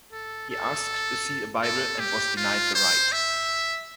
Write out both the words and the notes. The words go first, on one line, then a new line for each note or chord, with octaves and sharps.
He asked to see a bible and was denied the right.
A4
A4
A4
G4
F4
C5
E5